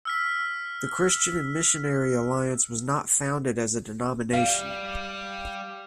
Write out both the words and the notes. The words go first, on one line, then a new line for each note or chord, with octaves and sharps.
The Christian and Missionary Alliance was not founded as a denomination.
E6 F6 B6
G3 F5